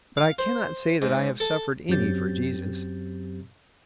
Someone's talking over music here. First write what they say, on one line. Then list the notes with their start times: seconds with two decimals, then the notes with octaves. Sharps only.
But I cannot say that I have suffered any for Jesus.
0.17 F5
0.39 C5
1.02 G#2
1.40 A4
1.89 F#2 F#3 C4 G4 G6 A6